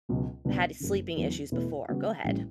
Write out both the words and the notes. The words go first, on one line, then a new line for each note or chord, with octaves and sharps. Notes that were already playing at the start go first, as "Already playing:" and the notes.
had sleeping issues before. Go ahead.
C#2 B2 F#3
C#2 B2 G3 B3 D4
F#1 F#2 C#3
E2 D3 F#3 B3 E4
E2 B2 A3 E4 B4
C#3 G3 B3 F#4
A1 A2 E3 G3 C#4